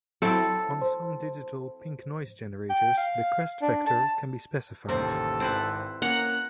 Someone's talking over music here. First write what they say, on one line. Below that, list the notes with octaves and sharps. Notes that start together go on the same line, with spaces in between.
On some digital pink-noise generators the crest factor can be specified.
F#3 C4 E4 A4
C5
G5
F5
D4
A5
A1 D#2 C3 C4 A4
G#1 C4 E4 B4
A#3 C#4 A#4 F#5 A#5